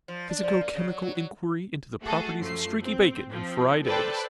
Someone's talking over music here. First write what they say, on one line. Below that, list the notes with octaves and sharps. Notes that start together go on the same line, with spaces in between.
A physico-chemical inquiry into the properties of streaky bacon and fried eggs.
F3
D4
F3
A#3
C#3
F#3
F#3
F#3
A3 F#4 G#4 A4
F#2 F3 A3 C7
C4
F3 C4
A4 B4 C5 D5 G5 A5